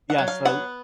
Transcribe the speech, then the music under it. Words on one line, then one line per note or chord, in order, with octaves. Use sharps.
Yeah, so
F#5
F#3
F5
B3 F#5